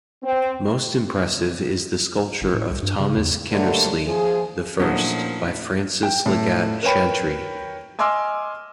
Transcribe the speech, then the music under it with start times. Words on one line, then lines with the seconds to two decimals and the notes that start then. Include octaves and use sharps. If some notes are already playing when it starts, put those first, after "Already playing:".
Most impressive is the sculpture of Thomas Kinnersley I, by Francis Leggatt Chantrey.
0.23 C4
2.41 G1
2.54 A2
2.70 C2
2.82 G2
2.99 C#3
3.16 E2
3.51 B2 D3 F#3 G3 A3 A#3
4.07 F3 G#4
4.80 A#2 F3 F#3 A3 C#4 D4 E4 D#5
6.03 G5
6.26 A2
6.83 A#4 B4 C#5 G5 B5
7.99 D#5 G#5 C6 D6 E6 F6